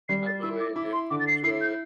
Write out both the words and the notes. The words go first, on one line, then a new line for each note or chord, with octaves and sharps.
I believe you, truly.
G3 C7
A6
E4 E6
D6
E4 D6
C6
D3 D6
A6
C7
E4 C7
G6